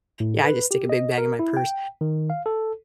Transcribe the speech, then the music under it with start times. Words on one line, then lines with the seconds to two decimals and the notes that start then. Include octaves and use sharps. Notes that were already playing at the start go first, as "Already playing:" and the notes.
Yeah, I just stick a big bag in my purse,
0.20 A2
0.44 B4
0.71 G4
0.89 D#5
1.18 A#4
1.39 E4
1.57 G5
2.01 D#3
2.30 F5
2.46 A4